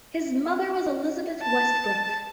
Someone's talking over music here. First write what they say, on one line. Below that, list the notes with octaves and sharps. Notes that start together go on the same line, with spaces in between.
His mother was Elizabeth Westbrook.
A5